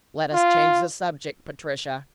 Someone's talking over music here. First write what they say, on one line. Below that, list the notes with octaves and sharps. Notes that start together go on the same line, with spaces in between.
"Let us change the subject, Patricia."
F4